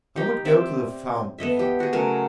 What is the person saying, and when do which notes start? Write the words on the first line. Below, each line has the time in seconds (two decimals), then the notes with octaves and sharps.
I would go to the fountain-head.
0.16 D#4 G4
0.45 C4 D5 E5 G5
1.38 B3 A4 D#5 E5
1.59 G4
1.80 F#4 G#4
1.93 C#3 F#3 A3 A#4